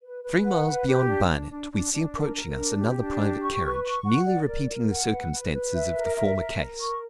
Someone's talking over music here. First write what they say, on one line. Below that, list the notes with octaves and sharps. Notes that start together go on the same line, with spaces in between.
Three miles beyond Barnet, we see approaching us another private carriage, nearly repeating the circumstances of the former case.
B4
B4
F#5
B4
G4
D4
D4
D4
D4
D4
A#4
A#4
D4
G4
D4
G4
C#6
B4
C#6
F#5
D5
A#4
A#4
F#5
B4
B4
B4
E5
A#4
E5
A#4
A#4
C#6